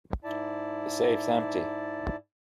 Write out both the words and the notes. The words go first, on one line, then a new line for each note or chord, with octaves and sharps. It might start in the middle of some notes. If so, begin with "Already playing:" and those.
The safe's empty.
G#2 E4 D5 A5